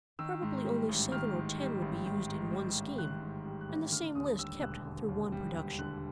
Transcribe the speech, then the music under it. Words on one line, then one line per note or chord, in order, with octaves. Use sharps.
Probably only seven or ten would be used in one scheme and the same list kept through one production.
D#3 E6
G#2
G3
A1
D#3 F6
G#2
G3
A1
D#3
G#2
G3
A1
D#3 F#6
G#2
G3
F#6
A1
D3 F6
D#2 D#6
G3 E6
E1 F#6
D3
D#2
G3
E1
D3 F#6